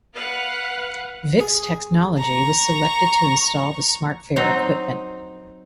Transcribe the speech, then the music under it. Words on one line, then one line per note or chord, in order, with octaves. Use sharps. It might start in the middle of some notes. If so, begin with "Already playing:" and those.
Vix Technology was selected to install the smart fare equipment.
B4 F5 F#5
G#4
A#5 C#6
F#3 C4 D#4